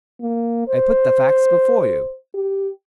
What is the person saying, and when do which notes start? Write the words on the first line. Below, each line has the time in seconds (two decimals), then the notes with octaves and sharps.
I put the facts before you.
0.21 A#3
0.68 C5
2.34 G4